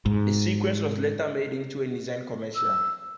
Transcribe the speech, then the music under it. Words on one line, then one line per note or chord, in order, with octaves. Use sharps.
The sequence was later made into a Nissan commercial.
G#2
E6